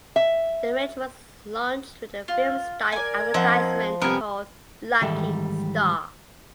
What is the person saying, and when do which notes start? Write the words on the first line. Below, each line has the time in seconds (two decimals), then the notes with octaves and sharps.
The range was launched with a film style advertisement called "Lucky Star".
0.16 E5
2.28 F4
2.92 A#4 D5 G#5 G#6
3.34 F3 C4 D#5 F#5
4.02 F2 C3 G3 B3 A#4 G#5
5.01 G#2 D#3 E3 G3 A4 E5